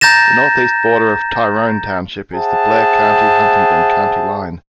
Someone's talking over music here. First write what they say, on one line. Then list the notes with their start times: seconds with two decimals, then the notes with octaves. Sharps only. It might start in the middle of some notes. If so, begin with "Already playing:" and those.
The northeast border of Tyrone Township is the Blair County-Huntingdon County line.
0.01 A#5 G6 A6 A#6 E7
2.33 G#4 C5 E5 F#5 G5 A5